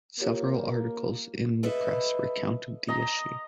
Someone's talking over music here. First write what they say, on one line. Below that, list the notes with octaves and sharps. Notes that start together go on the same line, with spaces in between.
Several articles in the press recounted the issue.
A#3 F4 G4 C#5
A4 B4 D#5 E5
D#5 A#5